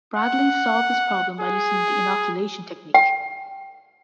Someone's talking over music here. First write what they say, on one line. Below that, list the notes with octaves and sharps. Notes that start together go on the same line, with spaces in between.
Bradley solved this problem by using the inoculation technique.
F#5
G#4
G5